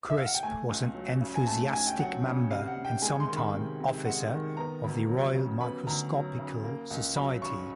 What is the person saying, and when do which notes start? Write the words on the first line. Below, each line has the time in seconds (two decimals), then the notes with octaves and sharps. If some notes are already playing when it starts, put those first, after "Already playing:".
Crisp was an enthusiastic member, and sometime officer, of the Royal Microscopical Society.
0.10 E5
0.18 F5
0.26 F#5
0.35 G5
0.43 A3 G#5
0.69 C#2
0.95 F#3
1.21 C#3
1.36 G#5
1.46 A3 A5
1.73 C#2 G#5
1.87 G5
1.99 F#3 F#5
2.24 C#3
2.51 C3 F5
2.67 F#5
2.77 C3
2.85 G5
3.02 G#3 G#5
3.20 C6
3.29 D#3
3.37 B5
3.54 C3
3.80 C3
4.05 G#3 F#5
4.32 D#3
4.57 B3 A#5
4.84 D2 B5
5.09 F#3
5.35 C#3
5.61 B3 B5
5.87 D2 A#5
6.12 F#3
6.39 C#3
6.64 A#3
6.90 C#2
7.16 F#3 B5
7.42 C#3 C#6